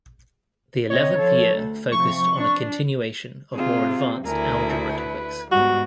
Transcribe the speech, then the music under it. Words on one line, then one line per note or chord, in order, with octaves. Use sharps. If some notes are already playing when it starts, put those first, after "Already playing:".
The eleventh year focused on a continuation of more advanced algebra topics.
C3 C#5 D#5
F3 A4
D2
C3 F3 C#6
D4
C3 F4 G#4
D2 E4 A#4 G#5
B4
G#2 G3 B3 F#4